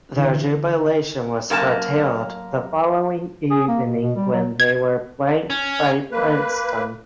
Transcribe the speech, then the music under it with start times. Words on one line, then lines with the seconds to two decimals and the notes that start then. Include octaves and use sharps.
Their jubilation was curtailed the following evening when they were blanked by Princeton.
0.17 D3 E3
1.50 F#2 A#3 G#5 A5
3.51 G#4
3.68 A#3
3.85 B2
4.00 B2
4.16 G3
4.32 F#3
4.60 G#6
5.50 C#4
6.12 A#3 B4